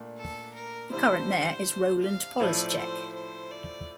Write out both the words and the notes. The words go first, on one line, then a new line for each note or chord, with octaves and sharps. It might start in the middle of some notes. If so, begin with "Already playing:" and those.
The current mayor is Roland Polaschek.
Already playing: A#2 A3 D4
A4
A#4
G2 D3 G3 C4 E4 C5
F5
A2 F3 C4 E4 D5
C5
C5
D5